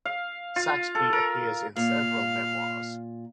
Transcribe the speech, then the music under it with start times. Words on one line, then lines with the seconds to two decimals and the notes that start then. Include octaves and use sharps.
Saxby appears in several memoirs.
0.05 F5
0.56 F4
0.95 A4
1.13 A#4
1.76 A#2 F5